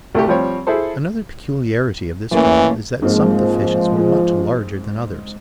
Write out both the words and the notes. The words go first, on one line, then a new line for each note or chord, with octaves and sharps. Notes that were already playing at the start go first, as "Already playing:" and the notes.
Another peculiarity of this fall is that some of the fishes were much larger than others.
C2 A3 G4
F3 G3 C4 C#5
E4 G#4 A4 C5
E3 A3 A#3 C#4
G#2 F3 G#3 A#3 C4